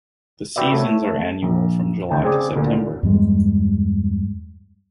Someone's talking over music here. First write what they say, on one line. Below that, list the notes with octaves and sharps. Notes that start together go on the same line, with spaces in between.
The seasons are annual from July to September.
F#4 G4 B4 D5 E5
A3 C#5
A#1
D2 G5 A5
C#3 C4 G#4 D5
D2 A#2 D3
E2 G2 G3 G#3